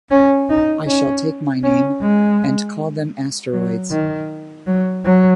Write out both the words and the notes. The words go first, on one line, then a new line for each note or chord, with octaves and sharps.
I shall take my name, and call them asteroids.
C#4
D#4
C#4
C#4
G#3
F#3
D#3
F#3
F#3